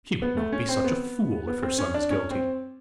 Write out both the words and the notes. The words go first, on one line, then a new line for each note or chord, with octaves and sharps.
"She would not be such a fool, if her son is guilty."
B3
A3
C#4
C4
B3
B3
C4
C#4
D4
C#4
C4